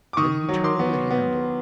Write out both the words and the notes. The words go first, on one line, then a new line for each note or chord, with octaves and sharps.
Then he turned the handle.
D6
D#3 C#6 D#6
F#3
C6 D6
B3
B3